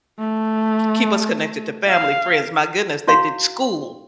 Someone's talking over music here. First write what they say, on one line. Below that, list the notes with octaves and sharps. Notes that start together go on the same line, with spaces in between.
keep us connected to family, friends. My goodness, they did school,
A3
F5
E4 F#4 C#5 F5 C6